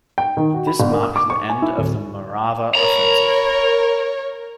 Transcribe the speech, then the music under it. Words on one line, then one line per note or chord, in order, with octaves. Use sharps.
This marked the end of the Morava Offensive.
G5
D#3
F#4
B5
G1
A#4
D#6
D6
C#6
G#5
E4
D1
A#4 C#5 A#5 B5